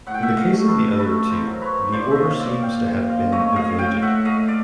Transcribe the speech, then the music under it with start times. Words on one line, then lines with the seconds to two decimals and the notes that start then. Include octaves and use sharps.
In the case of the other two the order seems to have been evaded.
0.07 A2 F#5
0.14 G5
0.23 E5 F#5
0.37 D#5 F5
0.53 A3
0.68 A4 B4
0.99 A3 A4 B4
1.30 A#4 C5
1.46 F#3
1.61 B4 C#5
1.92 A#2 C5 D5
2.11 C#5 D#5 E5
2.30 F5
2.39 A#2 D5 E5
2.62 F5 G5
2.86 F3
3.09 D#5 F5
3.32 A3 C#5 D#5
3.56 D#5 F5
3.79 A2 F5 G5
4.02 E5 F#5
4.25 A3 D#5 F5
4.48 D5